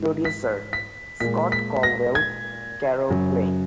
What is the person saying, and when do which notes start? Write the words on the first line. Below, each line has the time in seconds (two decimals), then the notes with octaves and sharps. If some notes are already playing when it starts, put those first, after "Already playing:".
Producer: Scott Colwell, Carol Klein.
Already playing: G#2 E3 G#3
0.25 B6
0.73 B6
1.20 A#2 G#3 B6
1.52 B6
1.83 A#6
2.15 G#6
3.10 F#2 C#3 F#3